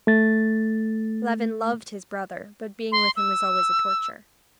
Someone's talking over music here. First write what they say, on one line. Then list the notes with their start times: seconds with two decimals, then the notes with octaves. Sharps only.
Levin loved his brother, but being with him was always a torture.
0.07 A3 A6
2.92 C6
3.16 E6